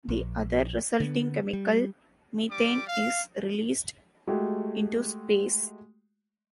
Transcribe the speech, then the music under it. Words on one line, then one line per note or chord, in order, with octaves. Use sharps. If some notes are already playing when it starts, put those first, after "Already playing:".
The other resulting chemical, methane, is released into space.
A#1
D3 B3
G3
G3 D6
F5
G#3 A3 F#4 G4